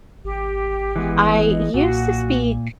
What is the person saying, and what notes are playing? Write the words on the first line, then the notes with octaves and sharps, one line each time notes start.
I used to speak
G#1 G4
E3 G#3 B3
D#5
B1 A#2 F#4